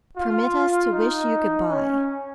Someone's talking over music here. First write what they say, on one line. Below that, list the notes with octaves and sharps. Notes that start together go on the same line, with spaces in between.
Permit us to wish you good-by.
F4
D#4
C#4